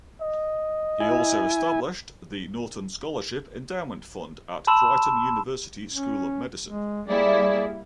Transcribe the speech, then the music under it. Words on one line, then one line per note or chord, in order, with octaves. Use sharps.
He also established the Norton Scholarship Endowment Fund at Creighton University School of Medicine.
D#5
E4 G#5
A5 B5 C6 E6 E7
C#4
G#3
G3 A#3 E4 G#4 D5